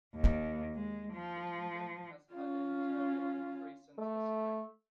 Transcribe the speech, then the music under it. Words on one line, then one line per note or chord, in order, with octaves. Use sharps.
The kingdom has had a turbulent recent history.
D#2
G#3
F3
C#4 F4
A3